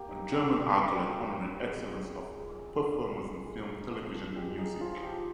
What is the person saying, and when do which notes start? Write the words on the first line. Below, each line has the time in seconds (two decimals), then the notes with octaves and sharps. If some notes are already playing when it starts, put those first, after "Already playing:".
A German accolade honoring excellence of performers in film, television and music.
Already playing: A#3 G4
0.09 D#4
0.31 G3
0.54 G3
0.76 A#3
0.99 D#4
1.21 G3
1.43 G3
1.66 C4 G#4
1.89 F4
2.11 G#3
2.33 G#3
2.56 C4
2.79 F4
3.01 G#3
3.23 G#3
3.46 G#3
3.68 D#4
3.91 F3
4.13 F3
4.36 G#3 G4
4.58 D#4 G#4
4.80 F3 F4
5.03 F3 G4